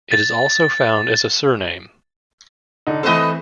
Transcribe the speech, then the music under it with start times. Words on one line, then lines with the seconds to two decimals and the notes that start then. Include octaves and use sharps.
It is also found as a surname.
0.12 A6
2.87 D3 D#4
3.03 E3 A3 C4 A4 B4 D#5